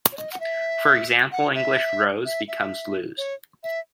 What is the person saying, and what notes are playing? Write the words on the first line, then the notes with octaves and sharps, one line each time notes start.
For example, English "rose" becomes "lose".
C#5
D#5
F#5
E5
F#5
E5
E5
E5
C#5
E5